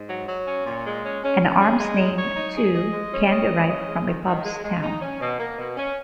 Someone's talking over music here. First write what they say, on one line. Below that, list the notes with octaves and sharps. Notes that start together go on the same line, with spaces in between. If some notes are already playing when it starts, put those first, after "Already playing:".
An "arms" name, too, can derive from a pub's town.
Already playing: G#2
F#3
F#3
C#4
A#2
G#3
C#4
C#4
C#4
G#4
G#3
D#4
C#5
D#4
G#4
D#5
G#3
C#4
D#5
C#4
D#5
G#3
D#3
D#3
G#3
G#3
D#4
C#4
B2
A#3
B2
C#4